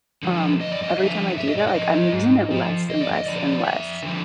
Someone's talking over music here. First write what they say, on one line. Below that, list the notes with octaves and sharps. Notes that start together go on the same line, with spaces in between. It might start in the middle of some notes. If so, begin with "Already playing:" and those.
um, every time I do that, like, I'm using it less and less and less.
D3 F3
F#2 D#5
D5
D#5
D3 F3 E5
G#2 E5
D#5
D5
D#5
F3
G#2
F3
F2 D#5
D5
D#5
D3 F3 D5
F2 E5
D3 F3